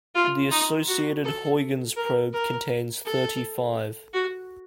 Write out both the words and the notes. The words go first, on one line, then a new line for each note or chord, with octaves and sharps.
The associated Huygens probe contains thirty-five.
F4
D#4
F#4
A4
A#4
A#4
A4
F#4